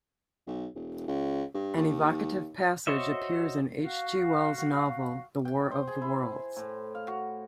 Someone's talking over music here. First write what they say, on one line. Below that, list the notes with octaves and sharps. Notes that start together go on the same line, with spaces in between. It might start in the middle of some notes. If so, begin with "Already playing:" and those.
An evocative passage appears in H. G. Wells' novel "The War of the Worlds".
B1
E1
C#2
G2
D#2
F#4 C5 C#5 D#5 E5
F#4 F5
G5
C5
G#4
E4
A2
F5
F#4